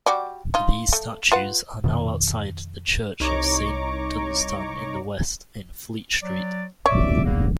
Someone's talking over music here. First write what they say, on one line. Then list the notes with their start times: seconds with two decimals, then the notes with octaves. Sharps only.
These statues are now outside the church of Saint Dunstan-in-the-West, in Fleet Street.
0.06 G3 F#4 D5
0.54 D#4 F4
0.93 A3
1.32 F4 B4 F#5
1.84 F2 B2 D#3
3.20 C2 D#4 C#5 A#5 C#6 D6
6.22 F#3 D5
6.86 C#5 D5 E5 D6
7.24 E2 A#3